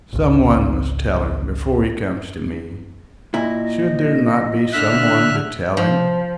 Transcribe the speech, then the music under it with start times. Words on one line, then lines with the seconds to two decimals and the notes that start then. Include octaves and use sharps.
Some one must tell him before he comes to me. Should there not be some one to tell him?
0.13 G#1 C#2
3.34 A#2 E4 D#5
4.73 D3 E5 F6 F#6
5.77 F3